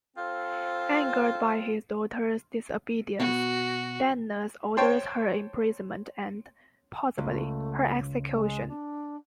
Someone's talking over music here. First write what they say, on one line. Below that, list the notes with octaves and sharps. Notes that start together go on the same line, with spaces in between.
Angered by his daughter's disobedience, Danaus orders her imprisonment and, possibly, her execution.
C4 F4 A4 C5
B2 F#4
C5 C#5 G5 A5 C6
C#2 A3
G#3
D4